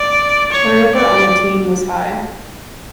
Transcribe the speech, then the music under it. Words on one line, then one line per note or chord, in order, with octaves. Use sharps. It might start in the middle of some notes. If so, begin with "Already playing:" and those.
Turnover on the team was high.
Already playing: D5
C#5
D5